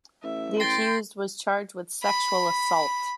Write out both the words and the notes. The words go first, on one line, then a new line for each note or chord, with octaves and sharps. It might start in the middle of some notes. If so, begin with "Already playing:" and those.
The accused was charged with sexual assault.
A1 E5
G5 C6 A6 A#6 C7
B5